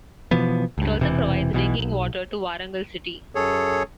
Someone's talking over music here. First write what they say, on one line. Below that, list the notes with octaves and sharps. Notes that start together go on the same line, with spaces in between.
It also provides drinking water to Warangal city.
B2 E3 F3 B3
C#2 G2
E1 C3 E3
B1 B2 E3
B1
F#2 G#4 A4 C#5